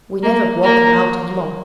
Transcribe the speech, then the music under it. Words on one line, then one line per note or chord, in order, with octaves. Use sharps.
We never walk about any more.
A#3
A#3